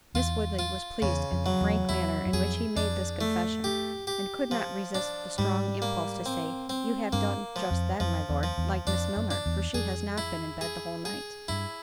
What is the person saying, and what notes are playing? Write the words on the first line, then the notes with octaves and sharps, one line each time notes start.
Miss Woodley was pleased at the frank manner in which he made this confession, and could not resist the strong impulse to say, "You have done just then, my Lord, like Miss Milner, for she has not been in bed the whole night."
E2 F4
F4
E2 C#3
F2
F#3
E2
E2 E4
F#2
F2 G#4
F2 D4
A3
G4
G4
F3
D4
G#2 G3
A#3
C4
C4
G2 A#3
F3
F2
F2 F3
E2
F3
E2
F2 D4
F#2
D4
E2
F2 G#4
E4
G#4
G#4
G2 E4